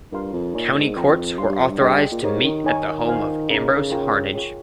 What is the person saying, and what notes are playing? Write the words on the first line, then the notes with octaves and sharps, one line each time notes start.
County courts were authorized to meet at the home of Ambrose Harnage.
G2 F4 A#4 F5 C6
F2
A#2 D#4 A#4 C#5 G#5 C#6
G#2
F2 C5 G5 A#5
G2 G4 C#5 F5 C6
G2
F2
G2
G2 G#4 D#5 G5 C6
A#2
G#2 G4 A#4 C#5
D#3
D#4 A#4 C#5 G#5
F4 C5 F5 G#5
C#3 D#4 A#4 D#5
F4 A#4 C#5 G5
F4 G#4 C#5 G5